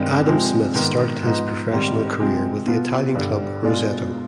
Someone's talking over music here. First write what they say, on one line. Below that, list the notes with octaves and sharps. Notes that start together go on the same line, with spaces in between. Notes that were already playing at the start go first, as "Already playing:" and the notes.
Adam Smith started his professional career with the Italian club Roseto.
Already playing: G2 D#3 G#3 C4
C3 F3 G#3 C4
G#2 D#3 B3
G#2 F3 B3 D#4
G#2 D#3 G3 C4
C3 F3 G#3 C4
B2 B3 F4
G2 D3 G3
B2 G#3 D4 F4